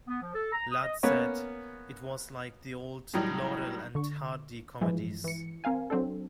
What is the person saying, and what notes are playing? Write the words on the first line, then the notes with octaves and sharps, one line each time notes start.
Ladd said It was like the old Laurel and Hardy comedies.
B3
F3
A4
A#5
D#6
D#5
A#3 B3 C#4 C#5
A2 D#3 F#3 G3 D#4
D3 C#6
G2 E3 F3 G#3
E3 C#7
C4 A#4 F5 G#5
F#3 C4 D4 A4